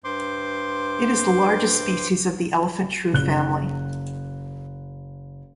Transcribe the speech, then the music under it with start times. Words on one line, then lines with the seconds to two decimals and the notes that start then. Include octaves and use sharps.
It is the largest species of the elephant shrew family.
0.04 G2 C5 C6 D6
3.13 F#1 F#6 G7